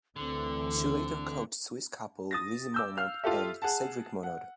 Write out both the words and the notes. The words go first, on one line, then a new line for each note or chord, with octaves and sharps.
She later coached Swiss couple Leslie Monod and Cedric Monod.
D2 D3 E3 C4 A4
D#6 A6 A#6
D6 E6 G6
F5 F6
F4 G4 A4 E5
G#4 F#5 A5
F#5